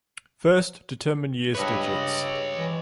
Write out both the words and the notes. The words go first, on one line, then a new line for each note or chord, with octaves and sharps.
First, determine years' digits.
G2 B4 C#5 D#5
E3